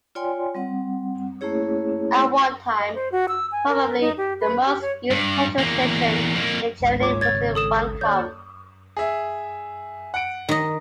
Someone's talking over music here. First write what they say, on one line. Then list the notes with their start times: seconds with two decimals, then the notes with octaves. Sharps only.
At one time, probably the most used petrol station in Germany was in Wankum.
0.15 F4 C#5 D5 G5 G#5 C6
0.55 G3 C4 F#5
1.41 A3 A#3 C#4 E4 G#4 C#5
2.79 D#5
2.95 C5
3.12 F#4
3.28 E6
3.52 G#5
3.68 A#4
4.01 D#4
4.18 G4
4.41 B4
4.66 G4
4.81 C#5
5.11 G2
5.58 E2 A#3
6.34 F2 A#3
6.80 G#1 C#2
7.00 A#2 C#5 D6
7.21 C#5 G#6 A6
7.55 A4 D#6 E7
8.01 D#2 C#5 D5 F#5 A5 G6
8.97 G#4 E5
10.14 F#5 D7
10.49 D#3 D#5